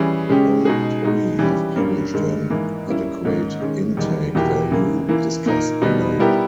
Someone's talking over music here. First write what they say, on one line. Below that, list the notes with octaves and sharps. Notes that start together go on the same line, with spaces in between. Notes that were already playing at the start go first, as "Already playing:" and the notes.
All three have published an "Adequate Intake" value, discussed below.
Already playing: E3 G3 C#4 G#4
C#3 G#3 C#4 G4
B2 G#3 D#4 G#4
B2 G#3 D#4 G#4
E3 G3 C#4 G4
G2 G3 A#3 C#4
G2 D#3 G#3
G#2 E3 A#3
G3 A#3 C#4 E4
G#2 D#3 A#3 C#4
D#3 G#3 C#4
E2 D#3 G3
E2 B2 A#3 E4 G4
C#3 E3 A#3
E3 A#3 E4
A#2 A#3 D#4 A#4
B2 G3 B3 D#4
G3 B3 E4 G4 A#4